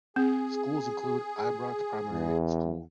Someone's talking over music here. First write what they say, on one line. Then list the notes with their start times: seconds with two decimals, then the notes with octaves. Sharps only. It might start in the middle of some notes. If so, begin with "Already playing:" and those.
Schools include Ibrox Primary School.
0.16 C4 G#4
2.11 E2